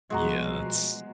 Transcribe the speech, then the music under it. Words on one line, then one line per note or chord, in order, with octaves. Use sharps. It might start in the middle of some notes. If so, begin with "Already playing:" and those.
Yeah, that's
B2 F3 G3 G#3 F#4 A#5